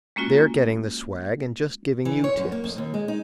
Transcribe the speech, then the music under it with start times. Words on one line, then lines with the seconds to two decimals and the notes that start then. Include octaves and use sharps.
They're getting the swag, and just giving you tips.
0.16 G#3 A#3 C#4 F4 F#4
2.05 E3
2.24 C#5
2.37 F#2
2.52 A#3
2.64 F2
2.78 D#2
2.94 G#3
3.08 D#4